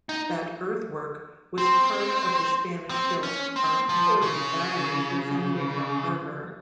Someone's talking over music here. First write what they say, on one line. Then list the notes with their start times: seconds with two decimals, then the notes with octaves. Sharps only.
That earthwork was part of the Spanish-built artillery battery defending the harbor.
0.09 D#4
1.58 C4
2.90 C4
3.23 C#4
3.56 C4
3.89 F3
4.22 C#3